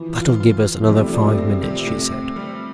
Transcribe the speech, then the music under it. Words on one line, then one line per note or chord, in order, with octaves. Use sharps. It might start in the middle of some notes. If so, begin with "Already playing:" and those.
"That'll give us another five minutes," she said.
Already playing: E3 F3
F4
F4
F4
F3
C3 G3
A3
F3 G3
A3
A3 C4
C3 G3
C3 A3
C4
G3